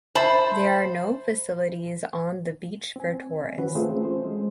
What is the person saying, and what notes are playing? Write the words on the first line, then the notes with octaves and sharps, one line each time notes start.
There are no facilities on the beach for tourists.
C5 E5 A5 B5
C4 G#5
D#3 E3 C4 C#4 F#4 B4
A3 C4 C#4 F4 G#4 C5
C5
G#3